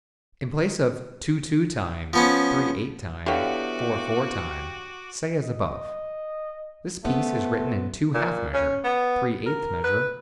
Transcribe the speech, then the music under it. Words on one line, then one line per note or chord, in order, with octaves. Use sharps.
In place of: "two-two time, three-eight time, four-four time," say as above: "This piece is written in two-half measure, three-eighth measure, four-quarter measure."
F3 B3 C#4
D3 F#3 B3 E4 F#4 G4 F5 D6
D#5
A3 B3 C5
A#2
C#4
B3
A#4
B4